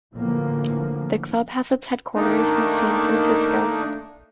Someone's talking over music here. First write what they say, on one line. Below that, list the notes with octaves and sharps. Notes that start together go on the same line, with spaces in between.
The club has its headquarters in San Francisco.
A2 D3 E3 F3 A#3
D#3 A3 A#3 D4 D#4